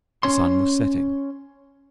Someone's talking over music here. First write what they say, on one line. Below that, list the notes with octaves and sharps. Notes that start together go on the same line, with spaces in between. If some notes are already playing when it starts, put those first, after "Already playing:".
The sun was setting.
C#4 C#5 C6